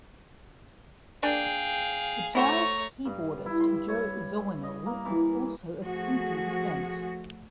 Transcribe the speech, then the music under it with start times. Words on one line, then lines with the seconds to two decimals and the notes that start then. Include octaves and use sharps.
The jazz keyboardist Joe Zawinul was also of Sinti descent.
1.23 A#3 D4 G#4 F5 G5 G#5
2.35 A3 E4 F#4 C5 C#5 A#5 C#6
3.05 G2
3.46 E4
3.60 C6
3.88 C#5
4.63 D#5
4.86 A#3
5.05 E3
5.82 F3 A3 F#4 G#4